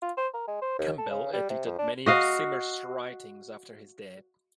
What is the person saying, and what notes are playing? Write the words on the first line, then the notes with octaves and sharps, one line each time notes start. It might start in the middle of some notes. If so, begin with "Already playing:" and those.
Campbell edited many of Zimmer's writings after his death.
F4
C5
A#4
G#3
C5
D#2
A4
C#3
G3
C3
F2
D4
F#4 D#5 F5